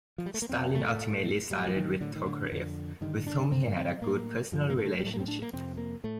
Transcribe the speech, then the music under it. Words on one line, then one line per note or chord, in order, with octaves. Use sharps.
Stalin ultimately sided with Tokarev, with whom he had a good personal relationship.
F3
G3
A3
A#3
F2 C3 C4
A3
A2
A2 G3
F3
D#3
A2 D3
D#3
D3
F2 D3
G2 D3 D#3
D4
G2 D3 C4
A#3
C4
A2 A#3
G2 D3 F3
A#3
A3
G3
A2 A3
A#3
C4
D4
A#3
F2 C3 C4
A#3
A2 A3